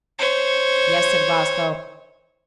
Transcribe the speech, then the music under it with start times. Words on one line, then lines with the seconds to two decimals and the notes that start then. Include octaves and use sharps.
"Yes," said Roscoe.
0.19 C5 C#5